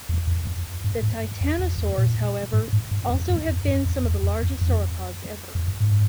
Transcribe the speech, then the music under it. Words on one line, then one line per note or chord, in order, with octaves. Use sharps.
The titanosaurs, however, have also been some of the largest sauropods ever.
E2
F2
F2
G2
G#2
F2
E2
F2
A#2
G#2
G#2
G2
F2
F#2
F#2
F#2
F2
E2
F2
F#2
F2
F2
F#2
G#2